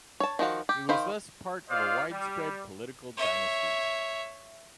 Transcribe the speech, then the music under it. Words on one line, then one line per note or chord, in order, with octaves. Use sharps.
He was thus part of a widespread political dynasty.
C#5 A5
D#3 F3 F#4 F5
G4
D#3 C5 F5 B5
F4 C5 D5 D#5 F5
G3
C#5 E5